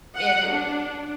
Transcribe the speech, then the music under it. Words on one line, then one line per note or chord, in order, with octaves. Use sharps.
and it's uh
F#5
D4